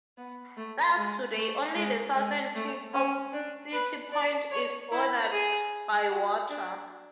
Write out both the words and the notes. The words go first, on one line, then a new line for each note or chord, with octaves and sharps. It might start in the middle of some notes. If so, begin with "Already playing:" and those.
Thus today only the southern tip of City Point is bordered by water.
B3
A3
G#3
A3
G#3
G#3
A3
C#4
D4
B4
D5
C#5
E4
G#4
F#4
D4